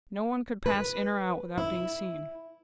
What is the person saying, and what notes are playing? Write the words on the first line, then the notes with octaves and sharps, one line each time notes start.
No one could pass in or out without being seen.
B4
E4